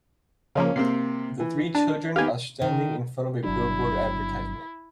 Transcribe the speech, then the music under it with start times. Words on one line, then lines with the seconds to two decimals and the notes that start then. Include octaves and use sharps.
Three children are standing in front of a billboard advertisement.
0.55 C#3 F3 A#3 C#4 F5
0.76 C3 A#3 C4 C7
1.40 E3
1.75 D4 A5
2.16 D#3 B3 G4 F5 G#5
2.61 D#3
3.43 G1 F#3 D4 E4